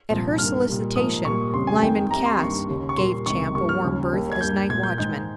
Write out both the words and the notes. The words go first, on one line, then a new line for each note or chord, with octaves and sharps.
At her solicitation Lyman Cass gave Champ a warm berth as night watchman.
C2 A#2 F3
G2 D#3 A#3 F6
A#2 G3 A#3
G#2 F3 A#3 D#6
A#2 G3 A#3 C#6
F2 C#3 G3 A#3 C6
G#5
F2 D#3 G#3 G5
C2 C3 G3 A#5
C6
G2 D#3 A#3 C#6
D#2 C#3 G3
C#6
A#2 G3 A#3 C6
C#2 C3 D#3 C#6
G2 G3 A#3 C#6
F6
D#2 C#3 G3 A#3
D#2 D#3 G3 A#3
G#6
G2 G3 A#3 G6
A#2 G#3 G#6
G6
G#2 D#3 G#3 G6